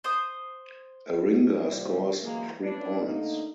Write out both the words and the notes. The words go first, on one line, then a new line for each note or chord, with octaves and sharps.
A ringer scores three points.
C5 D#6
D#2 C3 G3 C4 F4 D5
E3 F#3 G#3 A#3
C#4 D4 E4 B4 D5
D3 A3 A#3 D#4